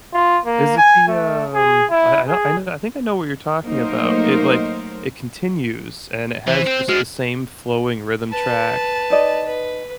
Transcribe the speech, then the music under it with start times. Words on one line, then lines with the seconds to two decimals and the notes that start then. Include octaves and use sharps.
Is it the, um I I know I know I think I know what you're talking about. It, like it continues, and it has just the same flowing rhythm track,
0.13 F4
0.46 A#3
0.77 G#5
1.08 A3
1.54 G#4
1.90 E4
2.28 G#4
3.61 F#3 A3 A#3 D#4 A#4 C5
6.48 E3 C5
6.67 C4
6.89 G#3 D4 F#4 F6
8.31 B4 A5
9.10 D#4 D5 D#5
9.46 B4